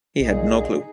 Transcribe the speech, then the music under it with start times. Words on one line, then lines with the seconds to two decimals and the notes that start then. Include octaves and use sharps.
He had no clue.
0.21 B1 A#2 D#4 G#4 D#5